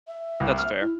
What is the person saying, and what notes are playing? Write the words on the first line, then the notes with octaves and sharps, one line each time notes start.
that's fair.
E5
C2
F6
E4